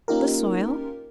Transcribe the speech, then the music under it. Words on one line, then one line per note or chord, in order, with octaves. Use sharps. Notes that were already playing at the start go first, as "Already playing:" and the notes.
The soil.
A#3 C#4 D#4 F4 G4 A#4